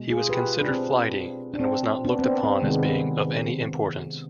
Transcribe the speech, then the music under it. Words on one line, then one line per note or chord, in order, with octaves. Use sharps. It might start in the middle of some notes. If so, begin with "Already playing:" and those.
He was considered flighty, and was not looked upon as being of any importance.
Already playing: B2 G#3
F4 G#4
G4 B4
D4
C4
D4
C4
B3 D4
C4
B3 D4
C4
C3 D#3 G#3 B3